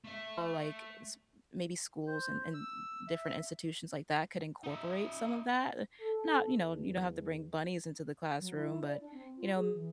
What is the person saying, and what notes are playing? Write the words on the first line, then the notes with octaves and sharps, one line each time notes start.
like s maybe schools and and different institutions like that could incorporate some of that. Not you know, you don't have to bring bunnies into the classroom, but, you know,
A3 E5
C5
E6
E5
D#4 E5
A4
E2
F#3
E4
D5
D4
C4
F4
G#4
E3